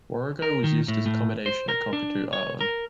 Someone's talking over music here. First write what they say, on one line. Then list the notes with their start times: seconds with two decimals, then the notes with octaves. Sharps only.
"Warrego" was used as accommodation at Cockatoo Island.
0.42 A#4
0.64 D#3
0.88 A2
1.06 A2
1.46 C5
1.69 A#4
1.93 D4
2.33 C#5
2.61 A#4